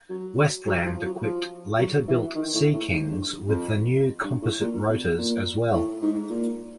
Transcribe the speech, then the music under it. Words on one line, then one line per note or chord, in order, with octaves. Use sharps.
Westland equipped later-built Sea Kings with the new composite rotors as well.
F#3
F#3
F3
F#3
F3
F#3
E3
D#3
A2
A2
G#2
G2
F2
G2
A2
A#2
B2
A#2
A2
G#2
A#2